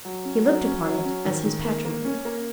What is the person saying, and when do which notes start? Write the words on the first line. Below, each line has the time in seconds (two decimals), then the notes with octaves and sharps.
He looked upon it as his patrimony.
0.05 F#3
0.25 C#4
0.45 F#3
0.65 C#4
0.85 F#3
1.05 C#4
1.25 D#3
1.45 D#3
1.65 A#3
1.85 A#3
2.05 C#4
2.25 A#3